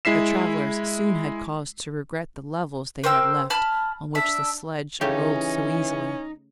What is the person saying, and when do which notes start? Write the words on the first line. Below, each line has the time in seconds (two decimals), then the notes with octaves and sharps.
The travellers soon had cause to regret the levels they had left, on which the sledge rolled so easily.
0.05 G#3 E4 B6 C7 E7
3.04 A#4 C5 G5 E6
3.50 A5 B5 F6
4.15 D4 E5
5.01 C#3 E3 A3 C#4 D#4 G4